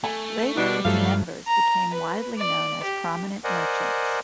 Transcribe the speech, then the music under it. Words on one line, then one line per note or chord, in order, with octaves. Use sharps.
Later its members became widely known as prominent merchants.
A3 G#5
B2 G3 D4
G2 F3 F#3 A3 A4 F5
A#5
B4
D5
G4
A#4 C5 D5 D#5 F#5 G#5